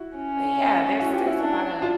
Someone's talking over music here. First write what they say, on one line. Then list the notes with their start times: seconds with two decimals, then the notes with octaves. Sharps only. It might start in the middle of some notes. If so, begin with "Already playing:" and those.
but, yeah, there's there's a lotta
Already playing: E4 F#4
0.16 C#4
0.99 E4 F#4
1.13 F4 G4
1.27 E4 F#4
1.40 D4
1.82 F4